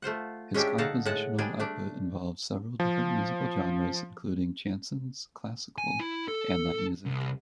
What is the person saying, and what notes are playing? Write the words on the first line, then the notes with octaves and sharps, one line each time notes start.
His compositional output involved several different musical genres, including chansons, classical, and light music.
A3 F4 C5 F#5
G#3 C#4 D4 E4 G4
D3 D#4 A4 F5 F#5
A2 G#3 F#5 A5
G3 G#3 D4 G#4 D5
A3 D4 D5
F3
G#5
E4
A4
C2